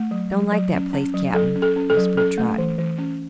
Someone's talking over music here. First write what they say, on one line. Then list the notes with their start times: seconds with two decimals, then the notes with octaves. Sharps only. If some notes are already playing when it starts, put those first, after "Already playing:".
"Don't like that place, Cap'n," whispered Trot.
Already playing: A3
0.11 F#3
0.32 F#3
0.52 F#3
0.73 C#4
0.93 C#4
1.14 F#3
1.34 F#3 A4
1.56 C#4
1.62 A4
1.76 C#4
1.90 A4
1.97 F#3
2.17 C#4 A4
2.38 A3
2.58 E3
2.78 E3
2.98 C#4